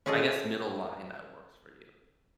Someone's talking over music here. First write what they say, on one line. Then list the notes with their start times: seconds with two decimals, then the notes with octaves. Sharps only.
I guess, middle line that works for you.
0.06 C#4 F4 G#4 A4 D#5